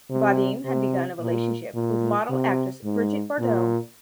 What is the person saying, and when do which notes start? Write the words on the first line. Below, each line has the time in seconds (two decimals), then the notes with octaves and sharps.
Vadim had begun a relationship with model-actress Brigitte Bardot.
0.11 C3
0.66 C3
1.20 A#2
1.75 A#2
2.30 C3
2.85 G#2
3.39 A#2